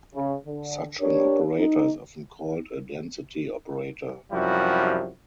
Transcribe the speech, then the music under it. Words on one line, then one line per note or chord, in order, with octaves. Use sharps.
Such an operator is often called a "density operator".
C#3
D3
D4 G4 A#4 C#5
D#4
F#2 C3 F3 G3 E4 F#4